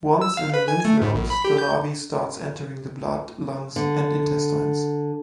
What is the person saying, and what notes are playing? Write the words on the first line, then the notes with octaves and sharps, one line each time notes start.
Once in the lymph nodes, the larvae starts entering the blood, lungs, and intestines.
E6
F5
B4
G#5
A3
G#2
A#1
B5
G4
G6
D3